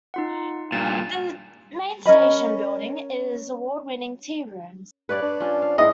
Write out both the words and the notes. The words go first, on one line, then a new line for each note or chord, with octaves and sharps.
The main station building is the award-winning Tea Rooms.
D#4 F4 F#5
G2 A#2 A6
G#5
C#4 A#4 D#5 B5
G2 B4 C#5 D5
D4
F3 C#4
F5
G#2 E4 D#5